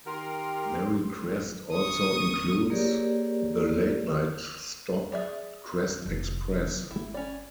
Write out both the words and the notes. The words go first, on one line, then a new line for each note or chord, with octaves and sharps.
Marycrest also includes the late-night stop, Crest Express.
D#3 G4 A#4 C6
C#6 D#6
A#3 G4 G#4 A#4 C#5 D5
G#4 D5 E5
F1 C3
G1 E4
C#4 D5